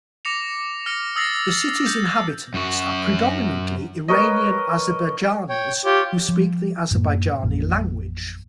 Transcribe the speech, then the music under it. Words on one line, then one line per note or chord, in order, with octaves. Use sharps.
The city's inhabitants are predominantly Iranian Azerbaijanis who speak the Azerbaijani language.
D6 A#6 C#7 F7
F6 A#6 C#7
D#6 E6 A6 A#6 C7
G6
F#2 F#4
A#4 B4 C#5 D#5
C#5 G5
F4 G4 C#5
F3
F#2 A2 A#3
A1 F2 A#2